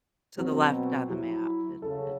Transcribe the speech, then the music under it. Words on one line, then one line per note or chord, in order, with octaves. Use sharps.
to the left on the map. It it's
B2 F#3 C4
F#3 E4
C#3 F#3 A4